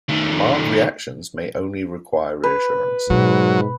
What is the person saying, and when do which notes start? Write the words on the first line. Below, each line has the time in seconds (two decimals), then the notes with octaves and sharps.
Mild reactions may only require reassurance.
0.09 D#3 A3
2.44 B4
3.10 G#2 B2 F#3